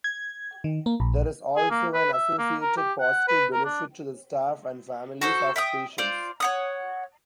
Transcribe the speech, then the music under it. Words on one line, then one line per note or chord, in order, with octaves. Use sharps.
There is also an associated positive benefit to the staff and families of patients.
G#6
D#3
A#3
A#1
G#4
A#3
B4
E5
A#3
A#4
G4
F#5
B4
A#4
D4
F#4 A4 C5
E5 G5 D#6
F4 C5 D5
C#5 F#5 D#6